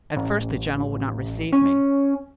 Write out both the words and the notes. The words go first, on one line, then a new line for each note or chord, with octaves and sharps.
"At first the general would not receive me."
A1
C#4